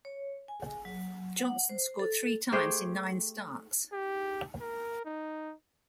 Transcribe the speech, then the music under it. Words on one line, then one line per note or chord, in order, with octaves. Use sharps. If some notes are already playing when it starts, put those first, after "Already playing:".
Johnson scored three times in nine starts.
C#5
G#5
F#3
F#5
C5
A4
A3 G4 G#4 C5
G4
A#4
D#4